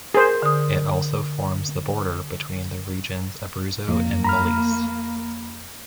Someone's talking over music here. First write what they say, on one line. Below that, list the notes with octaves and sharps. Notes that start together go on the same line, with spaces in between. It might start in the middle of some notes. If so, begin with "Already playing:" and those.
It also forms the border between the regions Abruzzo and Molise.
G#4 A#4 C5
D3 D#6
F2 A#3
A#5 B5 F6